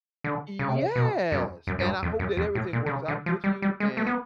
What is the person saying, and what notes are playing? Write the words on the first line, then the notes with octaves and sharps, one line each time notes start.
Yes, and I hope that everything works out with you, and
D3
C#3
C3
C#3
B2
F#2
F#2
F#2
G2
F2
F#2
F2
A2
A#2
D3
C#3
D3
F3
G3
G3
G#3
A3
B3